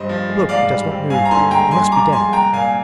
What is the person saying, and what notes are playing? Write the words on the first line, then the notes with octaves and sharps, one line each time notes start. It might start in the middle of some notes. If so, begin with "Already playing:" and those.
Look, he does not move--he must be dead!
Already playing: G2 G3 C5 D#5
F3
G#3
G#2 D5 F5
G3
C4
G2 F5 G#5
A#5
D3 G#5 C6
G#3 G5 A#5
G2 G#5 C6
F3 A#5 D6
G#3 G#5 C6
C2 G5 A#5
A#2 F5 G#5